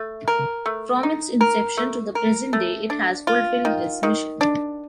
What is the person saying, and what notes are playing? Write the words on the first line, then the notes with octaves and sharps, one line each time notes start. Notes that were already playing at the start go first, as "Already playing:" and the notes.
From its inception to the present day it has fulfilled this mission.
Already playing: A3
A#4
A3
D#4
A#4
A3
A#4
A3
D4
F4
D#3
D#3
D4